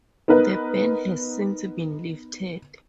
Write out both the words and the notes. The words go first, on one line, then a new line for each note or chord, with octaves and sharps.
The ban has since been lifted.
B3 D#4 A#4 B4